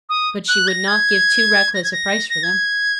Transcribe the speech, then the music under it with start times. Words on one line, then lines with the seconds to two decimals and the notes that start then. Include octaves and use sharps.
But she would not give too reckless a price for them.
0.09 D#6
0.48 F#6
0.67 A#6
0.87 G#6
1.74 A#6
1.84 G#6
1.92 A#6
2.30 A#6
2.43 G#6